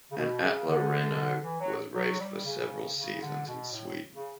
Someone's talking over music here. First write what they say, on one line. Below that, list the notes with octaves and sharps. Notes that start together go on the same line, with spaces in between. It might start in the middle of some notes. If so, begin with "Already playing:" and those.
An Atla-Renault was raced for several seasons in Sweden.
C#3
B2
C#3
D3
E3
F#3
F#3
G3
C#3
C#3
D3
B2
A2
C#3